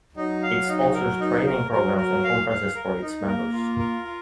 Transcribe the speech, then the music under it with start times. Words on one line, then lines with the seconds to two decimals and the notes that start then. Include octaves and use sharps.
It sponsors training programs and conferences for its members.
0.16 F#3 D#4
0.42 F5
0.69 D#4
0.94 A#4
1.20 D#4
1.46 A#4
1.72 F#3 A#4
1.98 A#4
2.24 F5
2.50 F5
2.75 A#4
3.01 D#4
3.27 A#3 A#4
3.53 F4
3.79 A#4
4.05 F4